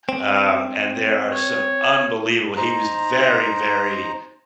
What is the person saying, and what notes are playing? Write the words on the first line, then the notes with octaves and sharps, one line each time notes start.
um, and there are some unbelievable he was very, very
C4
C#5
D#4 C5 A#5